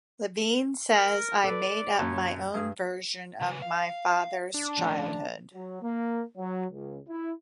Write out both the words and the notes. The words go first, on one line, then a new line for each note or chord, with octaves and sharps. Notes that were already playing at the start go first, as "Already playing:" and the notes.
Levine says, I made up my own version of my father's childhood.
A#4
A4 B4 D5
F#2 A#2 C#5 A5
G2 G#4
C#3 B4 G#5
F5
D4
F3 A3 C#4
F#3
A#3
F#3
C#2
E4